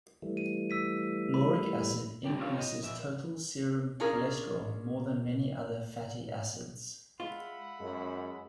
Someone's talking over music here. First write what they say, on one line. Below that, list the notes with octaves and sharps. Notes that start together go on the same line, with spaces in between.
Lauric acid increases total serum cholesterol more than many other fatty acids.
E3 G3 A3
D#7
E6 B6 D#7
B5
C2 G#2 B2 G3 G4
C4 F4 G4 A4 C#5 F5
D#5
F2 E5
C#4 D4 F4 G#4 A#4
G#3 F4 E5 F#5 B5
F#2 G#3